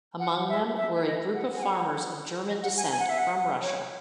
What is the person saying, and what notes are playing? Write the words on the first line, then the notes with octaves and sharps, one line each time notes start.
Among them were a group of farmers of German descent from Russia.
F#5
E5
E5
D#5
F#5
G#5
F#5
D#5
F#5
G#5
G#5
F#5
E5
F#5
C#5